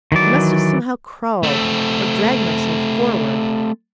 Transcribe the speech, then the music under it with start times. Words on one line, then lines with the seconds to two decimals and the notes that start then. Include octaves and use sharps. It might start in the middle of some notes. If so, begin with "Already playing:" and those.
I must have somehow crawled, or dragged myself forward.
0.12 D#3 E3 F#3 D5
1.43 A3 C4